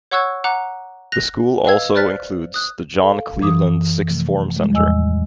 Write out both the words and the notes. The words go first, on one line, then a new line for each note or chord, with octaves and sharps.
The school also includes the John Cleveland Sixth Form Centre.
C#5 F#5 C#6 E6 F#6 G#6
F#5 A#5 D6 F#6
F#6 A#6 F7
B4 D#5 F5 E6 G#6
C5 D5 F6 F#6 A6 B6
D#6 F#6
A4 F5
F#2 E3 D6 D#6
C3 F3 A3
G3 G#3
E2 A2 F3 D#5 G#5 E6